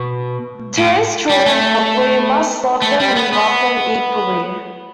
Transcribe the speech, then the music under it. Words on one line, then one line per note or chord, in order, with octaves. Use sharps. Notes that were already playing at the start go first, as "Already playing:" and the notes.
"To raise children properly, we must love them and love them equally".
Already playing: B2
A2
G3
A3
A3
G3
B3
B3